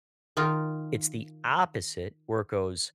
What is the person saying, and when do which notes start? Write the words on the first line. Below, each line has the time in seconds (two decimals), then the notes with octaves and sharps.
it's the opposite where it goes,
0.37 D#3 D#4 F4 A#4